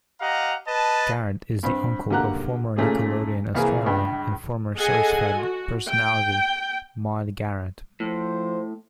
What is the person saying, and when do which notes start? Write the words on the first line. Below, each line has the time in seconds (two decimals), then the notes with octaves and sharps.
Garrett is the uncle of former Nickelodeon Australia and former SourceFed personality Maude Garrett.
0.21 G4 D#5 F5 F#5 A#5
0.67 B4 D#5 A5
1.63 G2 C4
2.10 D3 A#3 G4 F#5 A#5 F#6
2.76 A#2 C#3 A3 C#4 G4 G#4
3.55 C2 E3 A#3 G#4 G#5
3.86 C#2 G2
4.77 G#4 A4 D#5 F#5 G#5
5.39 F#4
5.89 G5
8.00 A2 F3 C5